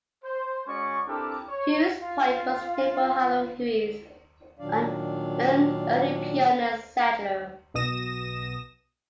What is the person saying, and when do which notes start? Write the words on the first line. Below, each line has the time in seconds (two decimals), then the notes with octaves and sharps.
Hewes Point was named for Paola Hewes, an early pioneer settler.
0.24 C5
0.67 G#3 C#4 F#4 D5 C#6
1.07 C4 D4 E4 G4 A4 A#4
1.48 C#5
1.99 F4 F5
4.59 A#2 D#3 F#3 D4 D5 F5
7.74 B1 B2 D#6 A#6 E7